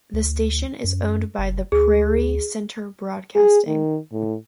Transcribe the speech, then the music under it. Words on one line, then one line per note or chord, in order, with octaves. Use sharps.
The station is owned by The Prairie Center Broadcasting.
D2
F#2
F#1
D2 G#4
G#4
D#3
A2